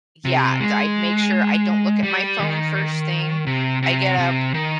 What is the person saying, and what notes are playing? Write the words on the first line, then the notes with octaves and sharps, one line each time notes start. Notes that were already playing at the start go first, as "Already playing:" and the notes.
yeah, d I'd make sure I don't look at my phone first thing, I get up,
C3
G#3
G3
D#3
C3
C3
C3
D#3